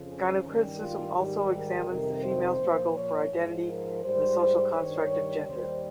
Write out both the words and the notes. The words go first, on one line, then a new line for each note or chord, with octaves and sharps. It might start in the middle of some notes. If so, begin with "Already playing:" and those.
Gynocriticism also examines the female struggle for identity and the social construct of gender.
Already playing: F2 C#3 F3
C#4
G2 D#3 G3
F4
G#2 D#3 G3 G4
A#4
F2 C3 D#3 G3 A#4
C5
A#2 F3
C#5
G#2 F3
A#4
G#2 G3 C5
G2 D#3 G3 C#5
D#2 D#3 G3 C5